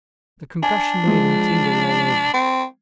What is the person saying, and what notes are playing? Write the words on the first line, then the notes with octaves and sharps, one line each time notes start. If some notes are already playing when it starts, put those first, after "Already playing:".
The concussion made him tingle all over.
D4 G#5
F3 G#3
C4